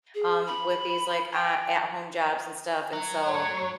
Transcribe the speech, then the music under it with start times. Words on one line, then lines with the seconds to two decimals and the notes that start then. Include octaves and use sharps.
um, with these, like, uh, at home jobs and stuff, and so
0.15 G#4
0.46 B5
1.33 G5
2.93 F#3
3.28 C#5